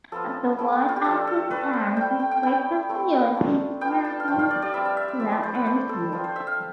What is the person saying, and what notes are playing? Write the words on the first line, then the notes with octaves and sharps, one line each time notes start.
The wood of this plant is frequently used in Japan for making low-end shamisen.
F3 B3 F4 A4
A3 C4 E4
F4
G4
F3 A3 D4 F4 A4
A4
A3 D4 F4 B4
C5
A3 E4 G5
G5
G5
B3 E4 G5
A3 C4 E4
A3 D4 F4
B3 F4 G5
A5
F5
F3 A3 D4 F4 G5
F5
D5
D5
G3 C4 E4 E5
F5
E5
E5
F3 C4 E4 D5
D5
C5
B4
A3 E4 C5
A4
F3 C4 F4
C5
E5
F5